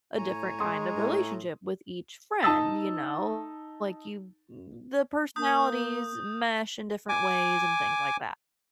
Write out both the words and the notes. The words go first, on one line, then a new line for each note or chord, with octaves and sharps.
a different kind of relationship with each friend, you know? Like, you the personalities mesh in different ways and things like that.
A2 C#5 G#5 A#5
G#3 C6 D#6
A2
D#4 A5 D#6 E6 A6
A#3 D#6 G6
G#5 D6